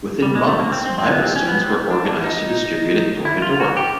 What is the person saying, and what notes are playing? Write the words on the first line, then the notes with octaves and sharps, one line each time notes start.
Within months Bible Students were organized to distribute it door-to-door.
G3
G#3
A3
A#3
C4
C4
C4
B3
C4
C#4
B3
C4
D4
D#4
E4
F4
F#4
G4